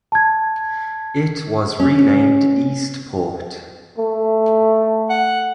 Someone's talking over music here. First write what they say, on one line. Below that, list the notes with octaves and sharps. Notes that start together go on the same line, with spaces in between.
It was renamed Eastport.
A5 G#6
C#4
A3
F#5